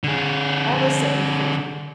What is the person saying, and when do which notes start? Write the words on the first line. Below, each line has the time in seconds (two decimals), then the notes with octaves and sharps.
All this set me thinking.
0.04 D3 G#4